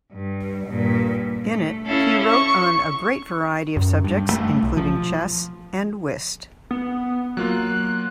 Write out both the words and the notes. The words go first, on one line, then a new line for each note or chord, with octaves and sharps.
In it he wrote on a great variety of subjects, including chess and whist.
G2
G2 A#2
A3
C#4 E4 A4 F5
C#6
F#2
G2
A3
B1
F3
B3
F#3 A#3 F4 F#6